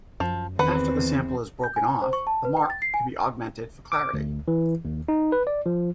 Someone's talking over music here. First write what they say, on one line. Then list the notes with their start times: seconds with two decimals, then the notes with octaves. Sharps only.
After the sample is broken off, the mark can be augmented for clarity.
0.20 F#2 F3
0.59 E2 D#3 C4 B4 F#5
1.64 G6
1.76 G#5
2.02 C5
2.13 C#6
2.27 A5
2.45 B4
2.57 G5
2.70 A6
2.82 C7
2.94 G#5
3.92 D6
4.14 D2
4.48 E3
4.85 D#2
5.08 D#4
5.32 B4
5.47 D5
5.66 F3